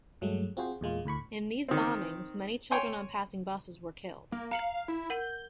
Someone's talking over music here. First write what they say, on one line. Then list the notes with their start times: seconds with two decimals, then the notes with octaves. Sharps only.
In these bombings, many children on passing buses were killed.
0.21 G2 F#3 G#3 A3
0.57 C4 F4 F#4 G#4 C5
0.81 E2 A#2 G#3 F4
1.05 D2 A2 B5 C#6
1.68 D#3 C4
2.71 C#5 G5 G#5 C6
4.32 A#3
4.51 F5 A#5 C#7 F#7
4.88 E4
5.10 A#4 F#5 G6 D#7